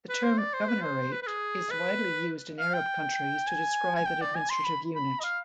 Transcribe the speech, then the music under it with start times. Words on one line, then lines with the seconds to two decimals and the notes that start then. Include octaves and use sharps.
The term governorate is widely used in Arab countries to describe an administrative unit.
0.09 B4
0.23 C5
0.38 D5
0.54 C5
0.68 B4
0.83 C5
1.12 B4
1.22 B4
1.27 G#4
1.71 B4
2.59 F5
2.74 G5
3.47 G#5
3.96 G#5
4.06 G5
4.21 D5
4.35 G#5
4.50 C6
4.65 B5
4.95 B5
5.20 D#5
5.24 F5